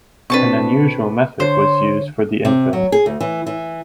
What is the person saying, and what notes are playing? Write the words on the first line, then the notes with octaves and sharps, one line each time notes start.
An unusual method was used for the infill.
B2 C4 D4 B4 A5 C#6
D3 C5 C#5
C3
F#3
G#4
D2
E3
E3